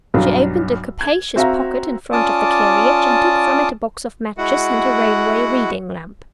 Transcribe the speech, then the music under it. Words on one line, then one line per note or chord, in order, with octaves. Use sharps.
She opened a capacious pocket in front of the carriage, and took from it a box of matches and a railway reading-lamp.
B1 G2 F#3
G#6
C4 F#4 E5 F5 A#5
C#4 F4 D5 A5 D6 D#6
G#3 E4 F#4 F#5